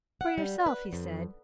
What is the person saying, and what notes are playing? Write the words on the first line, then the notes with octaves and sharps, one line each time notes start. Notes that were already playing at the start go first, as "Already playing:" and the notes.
'For yourself,' he said.
F#5
G3
B4
F2